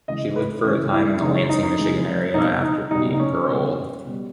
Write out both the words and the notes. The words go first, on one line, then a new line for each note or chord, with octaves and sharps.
She lived for a time in the Lansing, Michigan area after being paroled.
C#3 E3 G#3 D#5
B4
C#3 E3 G#3 C#4
E4
C#3 E3 G#3 D#4
C#4
D#4
D#4
C#3 E3 G#3
B2 G3 D#4
D#4
B2 G3 D#4
D#4
C#4
B2 G3
B2 G3